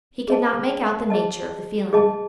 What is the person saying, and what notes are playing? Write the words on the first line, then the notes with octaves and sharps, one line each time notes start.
He could not make out the nature of the feeling.
G#4 D#5 A5
G#4 D#5 A5
G#4 D#5 A5